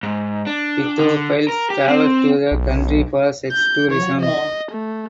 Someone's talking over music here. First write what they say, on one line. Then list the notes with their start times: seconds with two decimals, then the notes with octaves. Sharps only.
Pedophiles travel to the country for sex tourism.
0.03 G#2
0.47 D4
0.99 D3
1.49 A#4
1.70 G4
1.88 C4
2.51 B1
3.52 G6
3.91 C#5
4.21 D#5
4.71 A3